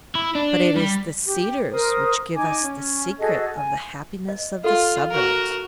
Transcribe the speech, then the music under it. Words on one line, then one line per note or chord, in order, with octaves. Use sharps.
But it is the Cedars which gives us the secret of the happiness of the suburbs.
E4
D4
G3
G4
A#4 C5 D#6
D#4 G#5 D6
C#4
F#4 G#4 A4 D#5
G#5
D#5
F4 A4
F#4 A#4